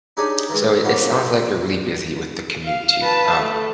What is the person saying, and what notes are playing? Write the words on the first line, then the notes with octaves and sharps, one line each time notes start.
So it it sounds like you're really busy with the commute too. Um,
D4 D#4 G4 G#4 C#5 D#5
D#3 E3 G#3
D3 F3 A#3 B3 C#4 F#4
F5
B4 A5
A3